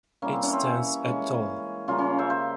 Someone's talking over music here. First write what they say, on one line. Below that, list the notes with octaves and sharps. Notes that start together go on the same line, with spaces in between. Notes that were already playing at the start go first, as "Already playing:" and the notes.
It stands at tall.
E3 G3 A#3 C#4
C4
C#4
C4
C#4
E3 G#3 C#4
C#3 G3 A#3 C#4 F4
C#4 F4
C5 E5
C5 E5